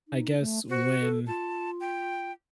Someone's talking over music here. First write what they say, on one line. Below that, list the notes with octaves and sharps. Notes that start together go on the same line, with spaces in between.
I guess when,
D#4
A3
F#4 C5
A4
F4 A5
G5